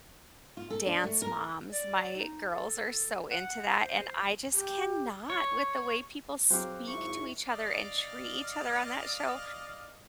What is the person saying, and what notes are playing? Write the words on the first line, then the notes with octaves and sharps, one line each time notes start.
Dance Moms, my girls are so into that, and I just cannot with the way people speak to each other and treat each other on that show,
F4
A4
D4
A3
A#4
D5
D#4
A4
F#5
C5
G4
C#5
F#3 C4 G#4 C5 F5 D6
G#1 E4 C#6
D5 D#5 F5